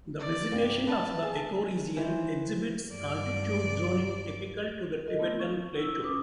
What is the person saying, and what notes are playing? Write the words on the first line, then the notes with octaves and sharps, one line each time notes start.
The vegetation of the ecoregion exhibits altitude zoning typical to the Tibetan Plateau.
D5
G2 C3 A#3
B4 A5
G#4
E3 C5
G2 D5
A4 A#4 D#5
A3 B3 C4 E4 F4
C#6
E4 E6
C#4 B4 D6 D#6